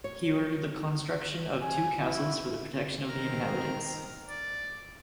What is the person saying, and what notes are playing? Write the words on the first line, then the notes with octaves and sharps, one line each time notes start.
He ordered the construction of two castles for the protection of the inhabitants.
C#5
G#5
E4
D#3 C4 A#4 A#5 F6
D5